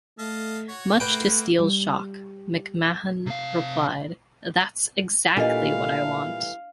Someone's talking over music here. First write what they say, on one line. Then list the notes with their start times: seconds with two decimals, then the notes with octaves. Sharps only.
Much to Steele's shock, McMahon replied, That's exactly what I want!
0.19 A3 D#5 F5 A5
0.68 F#4 C#5
1.00 A3 A#3 E4 F#4 B4 G5
1.59 G3
3.26 C3 F5
5.37 A#2 E3 G3 A3 A#3 D4 D#5 F5